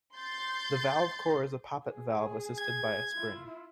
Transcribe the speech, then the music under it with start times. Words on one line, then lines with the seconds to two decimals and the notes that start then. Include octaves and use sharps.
The valve core is a poppet valve assisted by a spring.
0.15 C6 G6 A6
1.87 G#4
2.58 G#6
3.13 E4 F4